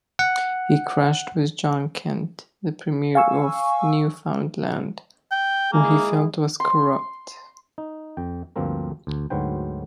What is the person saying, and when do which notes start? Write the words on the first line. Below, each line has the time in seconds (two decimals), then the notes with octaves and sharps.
He clashed with John Kent, the premier of Newfoundland, who he felt was corrupt.
0.19 F#5
3.15 F5 G#5 C#6 E6
5.32 G5
5.73 G#3 A#3 E4 G#4
6.60 C6
7.78 D#4
8.17 F2 G5
8.56 D2 G2 F3 A#3 C4 A#4
9.07 D2
9.30 D2 G#2 F#3 B4 C5 G5